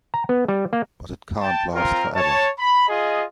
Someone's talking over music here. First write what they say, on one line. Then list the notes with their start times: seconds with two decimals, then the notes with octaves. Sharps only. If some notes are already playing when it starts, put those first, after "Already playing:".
But it can't last for ever.
0.14 A#5
0.29 B3
0.48 G3
0.73 A#3
1.41 G5 A5
1.74 C4 F4 A#4
2.15 C#5 A5
2.59 B5
2.88 F4 G#4 D#5